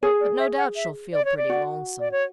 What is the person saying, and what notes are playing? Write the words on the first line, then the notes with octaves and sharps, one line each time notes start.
But no doubt she'll feel pretty lonesome.
G#4 C#5
D5
E5
F#5
E5
D5
C#5
D5
F#4
D5
C#5